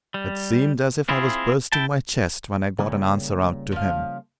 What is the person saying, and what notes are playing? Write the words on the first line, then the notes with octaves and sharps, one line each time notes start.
It seemed as if I was bursting my chest when I got an answer out to him.
G3
C4 E4 F4 G#4
E4 G5 A5
A#2 C#3 G3 A#3
F3 F5